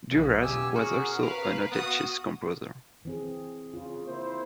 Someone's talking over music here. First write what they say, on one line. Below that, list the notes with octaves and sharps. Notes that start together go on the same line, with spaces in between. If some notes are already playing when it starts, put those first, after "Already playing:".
Duras was also a noted chess composer.
B1 E2 C#3
B2 G4 G#5 E6
C#4 F#4 G#4 A#4
C#4 A#4 B4 F5
B3 F#4 F5 D#6
E3 C4 G#4
C#3 F4
A#3 E4 C5